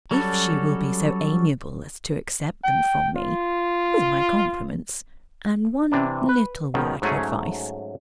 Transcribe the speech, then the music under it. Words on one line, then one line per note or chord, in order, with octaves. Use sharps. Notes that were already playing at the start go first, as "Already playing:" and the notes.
"If she will be so amiable as to accept them from me, with my compliments and one little word of advice...."
F#3 G3 C#4 F#4 A4
G5
F4
C3 E3 D4
B4
C#2 B2 D#3 F3
G#2 F#3 A3 C#4 G#4